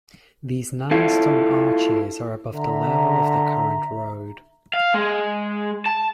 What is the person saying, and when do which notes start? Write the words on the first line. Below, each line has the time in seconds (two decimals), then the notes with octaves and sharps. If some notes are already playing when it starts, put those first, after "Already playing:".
These nine stone arches are above the level of the current road.
0.91 E4 F4 A4
2.53 D3 E5 A#5 C6
4.74 F5
4.94 G#3
5.86 A5